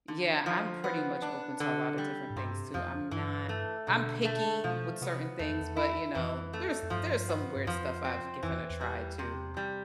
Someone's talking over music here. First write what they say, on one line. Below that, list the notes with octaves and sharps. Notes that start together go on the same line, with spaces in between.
Yeah, I'm pretty much open to a lotta different things too. I'm not I'm picky with certain things, but you know, there's there's some weird stuff I've given a try too.
D3
F3
B3
D4
D3
G3
A2
G2 C3
F2 F3
G2 E3
A3
B2 D3
A3
B2 F3
C3 B3
E2 A3
F2
E2
E4
F2 E3
A3
F2
G2 F3
B3
G2
F2 F3
C4
F2 E3
E2
E2
G3
C3
G3